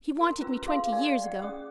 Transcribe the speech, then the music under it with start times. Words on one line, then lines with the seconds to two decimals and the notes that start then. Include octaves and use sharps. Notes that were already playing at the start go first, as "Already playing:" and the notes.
He wanted me twenty years ago.
0.20 A#4 A#5 C6
0.41 C#4 F4 B4 A#5 E6
0.66 G#4 A4 F5 C6
0.93 G#4 A#4 D5 F5 G#5
1.24 D5 F#5 G5
1.42 C#4 G#4 G5 D#6